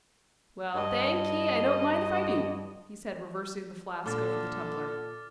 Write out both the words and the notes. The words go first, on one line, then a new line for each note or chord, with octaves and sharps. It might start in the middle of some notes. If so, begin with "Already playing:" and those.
"Well, thank ye, I don't mind if I do," he said, reversing the flask over the tumbler.
G2 D#5
A#2 D3 A4 D6 F6 A6